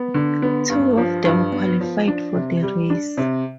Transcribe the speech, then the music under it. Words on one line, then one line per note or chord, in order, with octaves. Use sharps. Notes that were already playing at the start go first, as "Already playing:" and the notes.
Two of them qualified for the race.
Already playing: B3
D3
B3
G2
F3
G2
B3
F3
D4
C3
G3
D4
C3